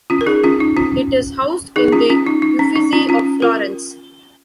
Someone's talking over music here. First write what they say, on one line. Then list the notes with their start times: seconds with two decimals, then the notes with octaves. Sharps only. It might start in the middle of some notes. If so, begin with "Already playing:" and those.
It is housed in the Uffizi of Florence.
0.10 C#4 F4
0.21 A#4
0.26 D#4 G#4
0.44 C#4 F4
0.60 D#4
0.77 C#4 F4
1.76 D#4 G#4
1.92 C#4 F4
2.10 C#4 F4
2.27 D#4
2.42 D#4
2.59 C#4
2.76 D#4
2.93 C#4 F4
3.09 C#4 F4
3.42 F4 A#4